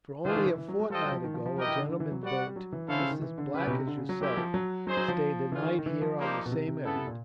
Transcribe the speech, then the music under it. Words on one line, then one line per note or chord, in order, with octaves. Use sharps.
For only a fortnight ago a gentleman burnt just as black as yourself stayed a night here on the same errand.
E3 A3 D4 F4 G#4 C5
D#3
E3
E3
F#3
G#3
G3 F4 A4 C5 D#5 G5
F#3
F3
D#3
F3
F3
F#3 E4 G4 A#4 D#5 G5
E3
D3
D#3
D3
E3
F#3
G3 F#4 B4 D5 F#5
G3
F#3
E3
D3 C#4 E4 A4 C5 F5
C#3
D#3
E3
D3
C#3 C#4 E4 G4 B4
B2
C3
D3
C#3
F#3
F#3 G#3 C4 E4 G4 A#4
F3
F#3
F#3 D#4 G#4 C5
F#3
F3
E3 C#4 F4 G#4
D#3
D#3
E3
F3
G3 A#3 D#4 G4 C5
B2
C3
C3
C#3 B3 E4 A4
C3
A#2